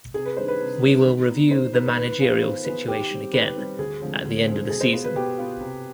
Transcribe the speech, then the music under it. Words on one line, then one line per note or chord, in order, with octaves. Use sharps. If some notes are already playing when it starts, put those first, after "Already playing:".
We will review the managerial situation again at the end of the season.
C3 G#4
B4
D#3 G3 D4 C5
B4
C3
D#3 G3 D4
D#3
B3 D#4
D#3 C5
B3 D#4 B4
B4
D#3 B4
B3 F4 G#4
D#3 C5
B3 F4 G#4 B4
D#3 G4
G3 C4
D#3 B4
G3 C4
D2 G#4
D3 F3 G#3 C4
D2
D3 F3 G#3 C4
B2 G#4
C5
B3 F4 C5
B4
B2 G4
B3 F4
C3